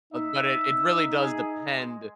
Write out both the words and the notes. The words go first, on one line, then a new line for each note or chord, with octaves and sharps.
um, but it it really does depend
D#4 E5
G#4
G#3